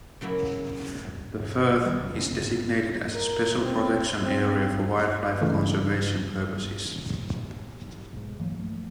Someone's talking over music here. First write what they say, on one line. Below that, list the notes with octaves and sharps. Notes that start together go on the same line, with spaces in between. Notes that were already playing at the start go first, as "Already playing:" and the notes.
The firth is designated as a Special Protection Area for wildlife conservation purposes.
C#3 F#3 A#3 E4
D#3 G3
E1 C#2 F#2
C#3
D1 D2 C#3 B3
G#2 B3 C4
A#4
C4
C4
C#3 E3 G#3 A3
B1 G#2
G2 E3 F#3 A#3
F3 A3 A#3